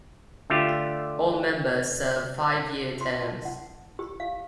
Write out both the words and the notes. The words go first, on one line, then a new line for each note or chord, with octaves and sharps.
All members serve five-year terms.
D3 A3 D4 F4 G4
C6
A5
F#5
G4
F5